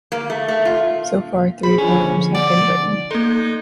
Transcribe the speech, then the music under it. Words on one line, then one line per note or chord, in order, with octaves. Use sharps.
So far three volumes have been written.
A#3
A3
A3
F4
G#4 C5 B5
D3 F3 C#4
D5 F#5
A#3 D#4 A4 C6 F#6 G6